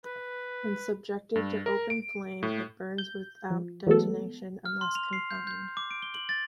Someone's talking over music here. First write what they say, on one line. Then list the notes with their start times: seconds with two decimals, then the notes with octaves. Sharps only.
When subjected to open flame, it burns without detonation, unless confined.
0.05 B4
1.35 G2
1.66 A#4
1.90 D7
2.43 A2
2.98 G6
3.50 F3
3.87 E3 F#3 G#3 A3 B3 A4
4.65 F6
4.81 C6
4.95 F7
5.13 C7
5.31 G6
5.47 G6
5.77 D6
5.91 D7
6.02 G7
6.14 F#7
6.29 A6